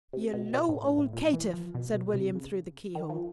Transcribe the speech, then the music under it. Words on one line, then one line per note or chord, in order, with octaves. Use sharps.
"You low ole caitiff!" said William through the keyhole.
C3
B2
B2
A2
A2
A2
A#2
E3
F3
B2
B2
C3
C#3
D#3
F3